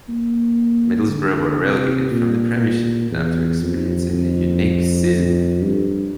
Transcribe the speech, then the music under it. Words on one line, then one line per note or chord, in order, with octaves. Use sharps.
Middlesbrough were relegated from the Premiership after experiencing a unique season.
A#3
D3
C3
A#2
E2
F2
F2
G2